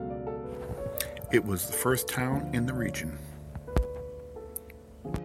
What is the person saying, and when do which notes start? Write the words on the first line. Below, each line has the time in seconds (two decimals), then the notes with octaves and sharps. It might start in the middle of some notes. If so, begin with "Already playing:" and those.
It was the first town in the region.
Already playing: C#2 B2 F#3 A4 F5
0.10 D5
0.27 A4
0.43 B4
0.78 C#5
0.95 D5
1.28 F5
1.63 D5
1.73 A4
1.80 B4
1.97 A4
2.14 F#5
2.31 D2 D3 F3 F5
2.54 D5
2.69 D5
2.77 C#5
3.67 B4
4.36 A4
5.04 D3 F3 G#4